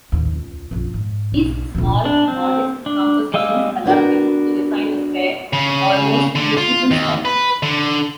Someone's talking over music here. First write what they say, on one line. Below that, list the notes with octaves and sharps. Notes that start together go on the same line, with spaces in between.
These small, modest, compositions allowed him to refine a spare almost mystical style.
A1 D#2
C#2
A#1 F#2
G#2
B1
D1 A#1
D4
C4
D4
G3 G#3 D#5 F5 E6
B3 D4 F#4 A#4
C#3
D3
F4
D#2
B4
D3